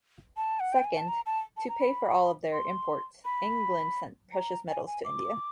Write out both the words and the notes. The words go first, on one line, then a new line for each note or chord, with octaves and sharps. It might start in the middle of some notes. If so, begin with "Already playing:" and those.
Second, to pay for all of their imports, England sent precious metals to India.
A5
F#5
G5
G#5
A5
A#5
A5
A5
A#5
B5
C6
B5
A#5
G#5
G#5
D6